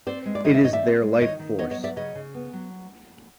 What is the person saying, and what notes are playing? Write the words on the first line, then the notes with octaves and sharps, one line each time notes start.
It is their life force.
C4 C5 D5
G#3
D5
D#3 C#5 D#5
D5 E5
D#3 C#5 D#5
D5 E5
C4
G#3
D#3 C#5 D#5
D#3
B3 C#5 D#5
C#5 D#5
F#3
D5 E5
C#3 C#5 D#5
C#3
B3
F#3